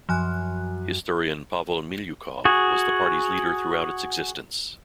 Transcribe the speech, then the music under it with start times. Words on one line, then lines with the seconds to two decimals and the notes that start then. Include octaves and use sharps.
Historian Pavel Miliukov was the party's leader throughout its existence.
0.09 F#2 F3 G#5 F#6
2.45 F#4 G#4